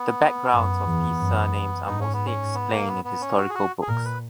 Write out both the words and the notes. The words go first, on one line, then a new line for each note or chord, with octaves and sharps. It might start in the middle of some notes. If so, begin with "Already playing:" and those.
The backgrounds of these surnames are mostly explained in historical books.
Already playing: B3
F#2
E2
F#2
G#2 D#4
C#4
B3
C#4
B3
A#3
B3
B3
C#4
F#4
G#4
F#4
G#4
A#2 A#4
B4